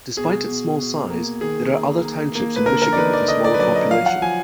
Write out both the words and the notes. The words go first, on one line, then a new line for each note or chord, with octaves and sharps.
Despite its small size, there are other townships in Michigan with a smaller population.
B2 G#4
B2
B2
A#3
D#3 G#4
A#3
A#3
A#3
B4
D3 A#4
A#4
D5
D#4 B4
D5
D3 D#5
D5
B4
F#3 D5
D#5
F3 F5
F#5
F3 G#5